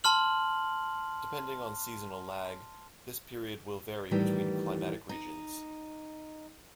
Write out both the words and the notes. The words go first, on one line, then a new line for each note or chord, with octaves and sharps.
Depending on seasonal lag, this period will vary between climatic regions.
A5 C6 F6 F#7
A2 D#3 E3 G3
D#4